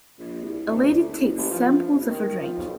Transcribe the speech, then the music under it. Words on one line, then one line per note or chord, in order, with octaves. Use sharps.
A lady takes samples of a drink.
A#1
C2
D2
F#1
A1
F3
G1
D#3
F3
B1